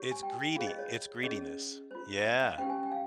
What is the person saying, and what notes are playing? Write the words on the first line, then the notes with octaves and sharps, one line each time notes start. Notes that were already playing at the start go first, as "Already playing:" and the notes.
It's greedy, it's greediness. Yeah.
Already playing: G4 C#5
G#5
G5
F4 G#4 C5 F5
D#5
C#5
C#4 G#4 C#5 D#5
F4 C5
D#5
F5
C#4 G4 C5 G5
G#5
G5
F5